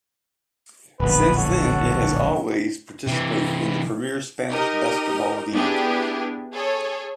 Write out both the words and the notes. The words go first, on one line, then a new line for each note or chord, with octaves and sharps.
Since then, it has always participated in the premier Spanish basketball league.
D1 A#1 B3 B4
A4 C#5 F#5
C3 E3
D#4 G4 A#4 D#5
B3 D4 E4 G4 G#4
G#4 A4 C#5